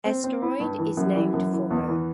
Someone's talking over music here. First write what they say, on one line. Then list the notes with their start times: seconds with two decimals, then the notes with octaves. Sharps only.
Asteroid is named for her.
0.05 C4
0.24 C4
0.42 E4
0.60 G2
0.78 E3
0.97 F#2
1.16 E3
1.34 F#2
1.53 E3
1.71 E2
1.88 E3